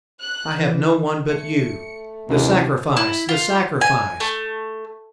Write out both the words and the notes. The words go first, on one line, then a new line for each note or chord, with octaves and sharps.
I have no one but you. The sacrifice, the sacrifice!
F#6
E3
A3 C#7
A1 D#2 C3 D4 D#4
E4
F4
G#5
A3